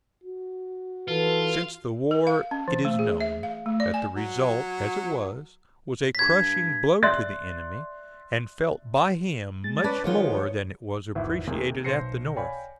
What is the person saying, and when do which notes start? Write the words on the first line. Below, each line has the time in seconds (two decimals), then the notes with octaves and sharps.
Since the war it is known that the result, as it was, was a crushing blow to the enemy, and felt by him much more than it was appreciated at the North.
0.24 F#4
1.08 E3 F4 A4 B4
2.11 A#4
2.27 F5
2.51 C#4
2.68 E3
2.85 A3
2.99 G#4
3.21 E5
3.43 F5
3.66 A3
3.80 D5
3.94 G#5
4.15 F#3
6.15 G2 G#6 B6
7.03 D5 E5 C6 F#6 A6
9.64 G#3 A6
9.84 C#4 B4 D5 A5
10.04 D#3 F3 G#3 B3 F4 C#5
11.15 G#1 E2 E4 E5
11.47 C3 D#3 A#3 G#4
11.84 B1 C5 A#6 C7 C#7
12.36 C#5 D5 F5 G5 G#5 B5